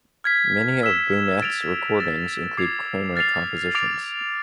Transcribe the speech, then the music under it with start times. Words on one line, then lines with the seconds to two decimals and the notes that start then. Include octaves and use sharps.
Many of Bunnett's recordings include Cramer compositions.
0.24 F6 G#6 B6
0.83 E6 B6 E7
1.41 A6 D7 F7
1.99 E6 A6 E7
2.57 D6 G#6 C7 F7
3.16 F6 A6 C7 F7
3.75 D6 A6 D7 F7